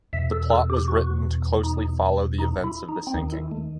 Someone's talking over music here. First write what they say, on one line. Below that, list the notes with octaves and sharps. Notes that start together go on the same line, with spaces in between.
The plot was written to closely follow the events of the sinking.
E2 B2 E5
A4
A4
G4
F#4
D#4
D#4
E4
D#4
C4
D#2 D#3 D#4
E4
A3